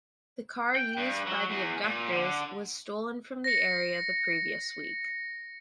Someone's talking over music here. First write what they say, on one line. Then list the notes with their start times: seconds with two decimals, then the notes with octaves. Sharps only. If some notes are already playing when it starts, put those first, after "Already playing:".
The car used by the abductors was stolen from the area the previous week.
0.75 G5
0.97 G2
1.27 F#3
1.50 E2
1.83 A#2
2.12 D3
3.44 A#6 C#7